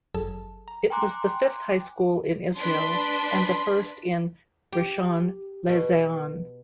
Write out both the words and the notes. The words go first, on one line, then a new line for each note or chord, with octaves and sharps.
It was the fifth high school in Israel and the first in Rishon LeZion.
G1 F#2 F#3 G#4 A4 A5
A#5
G5 G#5 A#5 C6 D6 F#6
D4 B4 C6 B6
G4
B2